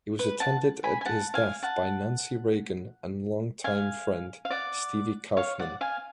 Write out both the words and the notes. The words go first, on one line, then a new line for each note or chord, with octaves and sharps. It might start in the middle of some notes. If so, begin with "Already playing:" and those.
He was attended at his death by Nancy Reagan and longtime friend Stevie Kaufmann.
B4
F#5 A5
G#5 B5
G#5
F#5 A5
F5 G#5
F#5 A5
F5 G#5
F5
D5 F#5
C#5 F5
D5 F#5
F5 G#5